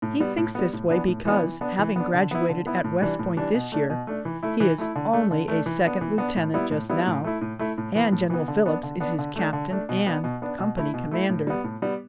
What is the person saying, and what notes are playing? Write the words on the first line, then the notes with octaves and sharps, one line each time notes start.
He thinks this way because, having graduated at West Point this year, he is only a second lieutenant just now, and General Phillips is his captain and company commander.
A2
G3 B3
A2
G3 B3
A2
E3 B3 D4
A2
E3 B3 D4
E3
B3 D4
E3
B3 D4
D3
B3 E4
D3
B3 E4
A2
E3 G3 D4
A2
E3 G3 D4
B2
A3 D4
B2
A3 D4
E3
A3 E4
E3
A3 E4
D3
A3 D4
D3
A3 D4
E3
B3 D4
E3
B3 D4
A2
G3 B3 E4
A2
G3 B3 E4
A2
A3 E4
A2
A3 E4
A2
E3 B3
A2
E3 B3
D3
B3 D4
D3
B3 D4
D3
A3 D4
D3
A3 D4
B2
B3 D4
B2
B3 D4
B2
A3 E4
B2
A3 E4
A2
G3 B3
A2
G3 B3